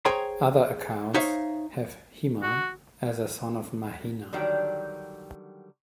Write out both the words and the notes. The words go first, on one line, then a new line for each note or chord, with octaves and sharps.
Other accounts have Hema as a son of Mahina.
G#4 C5 C#5 G5 A#5
D#4 C5 C#5 E5 F5
F#4
D3 D#3 F#3 G3 G5